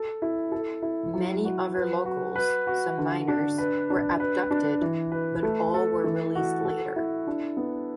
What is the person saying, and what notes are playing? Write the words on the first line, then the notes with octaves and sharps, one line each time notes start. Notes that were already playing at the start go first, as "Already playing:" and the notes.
Many other locals, some minors, were abducted, but all were released later.
Already playing: A4
E4
A4
E4
F#3
F#4
B4
F#4
B4
F#4
D3
D4
B4
D4
B4
D4
E3
B4
A3
A4
E3
F#4
A4
E4
D4
B3